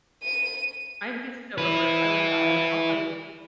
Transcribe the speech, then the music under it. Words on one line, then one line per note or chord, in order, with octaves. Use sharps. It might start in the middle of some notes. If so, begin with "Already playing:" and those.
I'm just so over it, oh my god, I'll I'll tell you this.
D#7
E4 B4